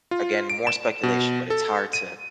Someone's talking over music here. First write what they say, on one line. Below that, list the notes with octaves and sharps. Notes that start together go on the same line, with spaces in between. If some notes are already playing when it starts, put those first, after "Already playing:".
again, more speculation, but it's hard to
F4
D7
E7
B2
A4
D#7